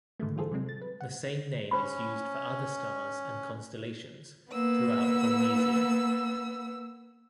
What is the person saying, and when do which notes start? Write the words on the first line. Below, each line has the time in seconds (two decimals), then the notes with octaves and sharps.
The same name is used for other stars and constellations throughout Polynesia.
0.20 G#2 D3 D#3 G#3 A3
0.36 E3 G3 F4 G#4 A4 C5
0.52 C3 F#3 G#3 C4
0.69 A6
0.82 B4
1.01 F#5
1.71 C#4 C5 B5
4.51 A#3 B3 E6